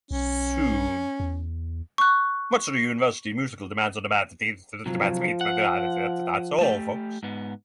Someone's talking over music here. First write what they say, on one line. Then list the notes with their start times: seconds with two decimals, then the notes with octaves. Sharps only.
Soon, much of the University's musical demands depended upon the Glee Club.
0.11 B1 C#4
1.20 E2
1.98 C#6 F#6
4.86 C3 F3 F#3
5.41 F#5
6.61 A3 G4
7.23 G#2 B3